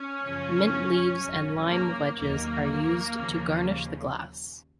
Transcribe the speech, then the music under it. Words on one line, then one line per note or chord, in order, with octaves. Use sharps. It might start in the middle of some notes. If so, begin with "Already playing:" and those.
Mint leaves and lime wedges are used to garnish the glass.
Already playing: C#4
F#2 C#3 F3
G#1 F#2 C#3 F#3
A#3
D#2 D#3 F#3 A#3
D#2 C#3 F3